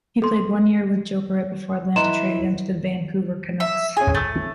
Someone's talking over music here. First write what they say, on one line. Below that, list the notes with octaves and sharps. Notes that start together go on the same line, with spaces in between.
He played one year with Jokerit before Atlanta traded him to the Vancouver Canucks.
A4 C6
E3 D#5 A#5 C6 E7
E5
C#4 G#4 G#5
A3 E6 A6